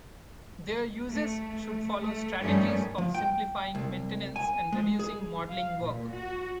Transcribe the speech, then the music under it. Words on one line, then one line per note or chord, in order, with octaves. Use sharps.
Their usage should follow strategies of simplifying maintenance and reducing modeling work.
A3
A3
G2 D#3 F3 G3 A3 C#4
F3
G5
C2
G#5
G#3
G#4
F5
A#2
F#4